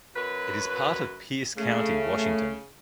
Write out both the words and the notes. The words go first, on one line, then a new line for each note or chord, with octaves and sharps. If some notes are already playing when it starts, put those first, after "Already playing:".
It is part of Pierce County, Washington.
F#2 F#3 B4
C#3 A3